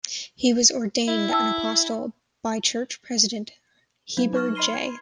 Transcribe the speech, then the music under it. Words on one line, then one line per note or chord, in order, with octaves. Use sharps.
He was ordained an apostle by church president Heber J.
E4
G5 A5 E6
F#3
D#4 B4 C#6 F6
D#5 B5 C6 C7 D#7 G7
G#6